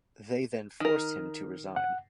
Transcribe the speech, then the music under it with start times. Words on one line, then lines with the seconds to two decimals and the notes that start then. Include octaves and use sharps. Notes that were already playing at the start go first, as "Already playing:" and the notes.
They then forced him to resign.
0.80 D#3 A#4
1.76 F#5